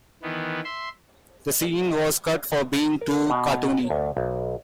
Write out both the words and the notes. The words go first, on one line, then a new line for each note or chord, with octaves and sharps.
The scene was cut for being too cartoony.
D#3 E3 B3
E5 C6
A#4
B2
D2
B1